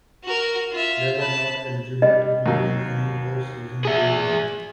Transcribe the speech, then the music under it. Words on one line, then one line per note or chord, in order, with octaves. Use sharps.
They were not eligible to play in any post season bowl game.
F#4 A#4
F4 E5
A5 B5
G3 D#5
D#2 F#3
G#4 E5